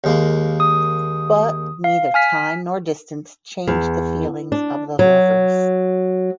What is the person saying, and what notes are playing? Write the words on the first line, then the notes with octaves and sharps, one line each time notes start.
But neither time nor distance changed the feelings of the lovers.
D#2 G#3 A#3
D#6
F5
G#5 F6 B6
E2
D4
F#3